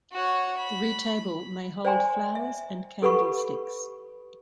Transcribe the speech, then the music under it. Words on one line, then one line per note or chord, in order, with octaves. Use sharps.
The retable may hold flowers and candlesticks.
F#4 C#5
B5
C5 D5 G5 G#5 A#5 C6
E5
G4 A4 B4 F#5 B5 C#6